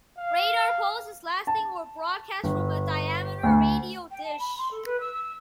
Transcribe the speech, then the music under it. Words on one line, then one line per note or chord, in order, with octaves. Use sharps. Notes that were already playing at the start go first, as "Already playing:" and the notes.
Radar pulses lasting were broadcast from a diameter radio dish.
F5
A5
G1
D2
G5
A5
B5
C6
A4
B4
E6
E6